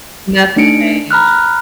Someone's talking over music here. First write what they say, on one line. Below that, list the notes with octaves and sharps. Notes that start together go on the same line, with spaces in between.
Nothing changed.
A3 D4 D#4 C#7 D7
A#5 B5 F6 F#6